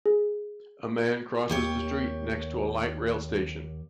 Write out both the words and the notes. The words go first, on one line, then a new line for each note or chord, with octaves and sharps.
A man crosses the street next to a light rail station.
G#4
D#2 G4 C#5